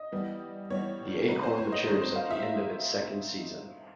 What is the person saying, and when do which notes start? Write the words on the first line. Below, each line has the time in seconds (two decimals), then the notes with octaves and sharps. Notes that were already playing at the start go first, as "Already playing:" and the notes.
The acorn matures at the end of its second season.
Already playing: D#5
0.12 E3 G3 B3
0.70 E3 G3 B3 C#5
1.28 D#3 F#3 A3 C4 B4
1.43 C5
1.58 C#5
1.72 D#5
1.87 D#3 F#3 A3 C4 C5
2.02 C5
2.16 F5
2.30 E5